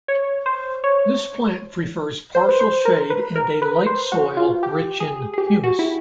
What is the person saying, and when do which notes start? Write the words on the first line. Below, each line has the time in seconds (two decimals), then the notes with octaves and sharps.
This plant prefers partial shade and a light soil, rich in humus.
0.08 C#5
0.46 C5
0.84 C#5
2.35 C5
2.49 B4
2.60 C5
2.85 A#4
3.10 B4
3.35 A#4
3.62 B4
3.86 C5
4.12 F#4
4.37 F4
4.63 G4
5.00 G#4
5.33 G#4
5.38 G4
5.63 F#4
5.79 E4